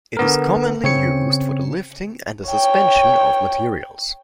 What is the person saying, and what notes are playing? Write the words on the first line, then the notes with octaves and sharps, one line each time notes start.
It is commonly used for the lifting and the suspension of materials.
D3 B3 A#4
C#3 C4 C#5 C#7
C#5 G5